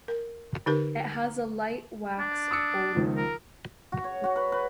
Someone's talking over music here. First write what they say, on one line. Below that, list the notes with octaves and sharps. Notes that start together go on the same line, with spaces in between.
It has a light wax odor.
A#4
D3 D#4 G4 A#4
D4
D#6 E6 C#7
C#2 D#3 F3
A#4
F#4
C#5
F#4
B4
B4